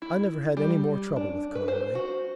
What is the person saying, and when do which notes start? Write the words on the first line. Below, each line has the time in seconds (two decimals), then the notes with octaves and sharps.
I never had any more trouble with Conway.
0.02 E4
0.57 G3
1.16 D4
1.55 B4
1.68 C5
1.95 F#4